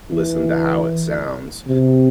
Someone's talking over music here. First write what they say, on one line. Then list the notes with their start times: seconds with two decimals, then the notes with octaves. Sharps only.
listen to how it sounds.
0.12 E3
1.68 C3